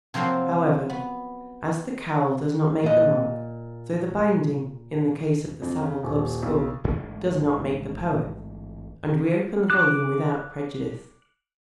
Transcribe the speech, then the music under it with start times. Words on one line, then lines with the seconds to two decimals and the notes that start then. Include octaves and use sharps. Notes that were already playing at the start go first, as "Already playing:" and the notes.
However, as the cowl does not make the monk, so the binding, in the case of the Savile Club school, does not make the poet, and we open the volume without prejudice.
0.14 C3 F3 F#3 A#3 C4
0.90 B3
2.83 A#2 D#5
5.62 F2
5.82 C#3
6.03 D#1
6.43 B1
6.84 A1 G#2 D3 G#3
9.70 D6 F#6